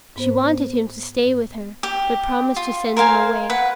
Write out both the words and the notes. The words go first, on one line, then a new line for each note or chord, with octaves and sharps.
She wanted him to stay with her but promised to send him away.
G#2 B3 C5
G4
F4
A#4 C5 F5 G#5
B4 F#5